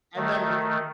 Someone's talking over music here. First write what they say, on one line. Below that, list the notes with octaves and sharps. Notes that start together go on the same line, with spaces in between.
and then w
D#3 A3